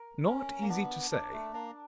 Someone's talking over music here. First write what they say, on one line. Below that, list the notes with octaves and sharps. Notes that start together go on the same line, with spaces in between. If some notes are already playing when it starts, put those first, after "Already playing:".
Not easy to say.
Already playing: A#4
C#4 A#4
A#3
B3 D4
D4
A3
A#3 D4